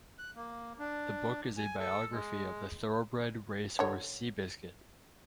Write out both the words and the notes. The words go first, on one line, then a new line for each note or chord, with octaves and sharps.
The book is a biography of the Thoroughbred racehorse Seabiscuit.
F#6
A#3
D4
G#5
A4
G#3
D3 C#5